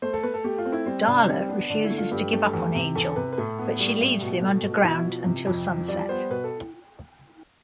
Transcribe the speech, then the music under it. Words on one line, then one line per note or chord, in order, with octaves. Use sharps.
Darla refuses to give up on Angel, but she leaves him underground until sunset.
A3 C5
A4
A3 B4
A4
A3 G4
F4
C4
E4
G3 C4
C3 D4
G3 C4
B3 D4
D3 D4
E4
A3
F4
G2 G4
A3
E2
C3
E2 A4
C3 B4
B4
A2 A4
B3
G3
A2
B2
A3
B2
B2 E4
F3
C3
F2
F3
G3 D5
B3 C5
B2 B4
A4